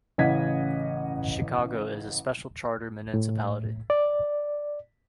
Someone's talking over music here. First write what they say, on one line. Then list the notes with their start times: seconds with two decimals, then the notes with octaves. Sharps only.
Chicago is a special charter municipality.
0.18 A1 C#3 D#5 F#5 G#6 B6
3.14 A2
3.90 D5